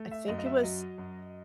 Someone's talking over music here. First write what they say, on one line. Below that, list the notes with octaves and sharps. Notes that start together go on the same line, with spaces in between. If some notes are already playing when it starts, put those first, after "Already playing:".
I think it was
Already playing: A3
E5
F#2 D#5
D#5
E5
F#3 D#5
F#2